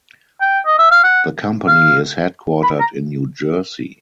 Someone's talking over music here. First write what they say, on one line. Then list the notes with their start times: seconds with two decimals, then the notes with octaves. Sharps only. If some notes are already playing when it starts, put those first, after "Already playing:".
The company is headquartered in New Jersey.
0.41 G5
0.66 D#5
0.79 E5
0.91 F5
1.04 F#5
1.68 F5
2.63 B5
2.80 A#5